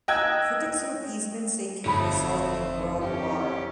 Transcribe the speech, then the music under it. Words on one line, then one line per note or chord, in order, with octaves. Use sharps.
Critics of appeasement say it can result in world war.
D#5 G5 E6 F#6 G#6
G1 F2 G#2 F3 A3 D#4 C#5 B5
C#4 E4 G4